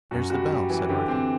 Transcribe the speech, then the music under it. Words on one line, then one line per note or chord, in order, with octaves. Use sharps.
'There's the bell,' said Arthur.
F#2 F#4
G3 F#4
G3
E3
D3 G4
C4